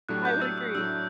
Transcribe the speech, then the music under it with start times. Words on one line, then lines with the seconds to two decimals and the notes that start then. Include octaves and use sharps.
I would agree.
0.09 A2 F#3 A3 D4 G4 F#6
0.25 G6
0.42 E6
0.58 E6
0.75 A2 F#3 A3 D4 E6